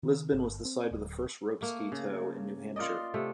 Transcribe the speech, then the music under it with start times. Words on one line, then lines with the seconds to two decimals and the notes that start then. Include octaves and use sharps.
Lisbon was the site of the first rope ski tow in New Hampshire.
0.03 D#3
0.32 G1
0.65 C4
0.91 D1
1.61 A3 A#3
1.92 C#3
2.76 F4 A#4 D5 D#5
3.14 C3 A3